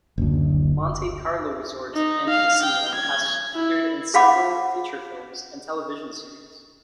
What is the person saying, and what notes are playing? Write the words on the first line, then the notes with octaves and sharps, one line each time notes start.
Monte Carlo Resort and Casino has figured in several feature films and television series.
F#1 D2
D#4
F5
G5
G#6
E4
G#4 F5 F#5 B5 D6